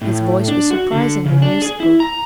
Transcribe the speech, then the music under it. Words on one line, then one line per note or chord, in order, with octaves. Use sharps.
His voice was surprisingly musical.
A2
D4
F#4
D3
C#3
D4
G#4
E4
A#5